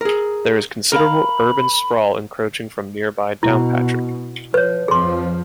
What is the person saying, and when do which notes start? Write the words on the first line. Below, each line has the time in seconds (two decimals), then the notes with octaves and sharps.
There is considerable urban sprawl encroaching from nearby Downpatrick.
0.01 G#4 A#4
0.92 A#4 F5 B5
3.43 B2 E4
4.54 F3 B4 C#5
4.88 F2 F3 G#4 C6